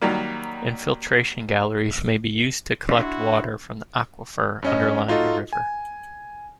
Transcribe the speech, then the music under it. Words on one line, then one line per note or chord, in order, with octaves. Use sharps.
Infiltration galleries may be used to collect water from the aquifer underlying a river.
D#3 F#3 G3 A#3
D4 E4 F#4 C6
G2 C#4 D#5
D#4 F4 F#4 A4 D#5
G#5